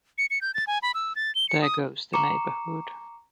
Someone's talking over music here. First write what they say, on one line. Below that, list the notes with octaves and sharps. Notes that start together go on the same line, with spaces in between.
There goes the neighborhood.
C#7
C#7
G6
A6
G#5
B5
E6
A6
G7
C#7
D#6
A#5 C#6 D6 C#7 E7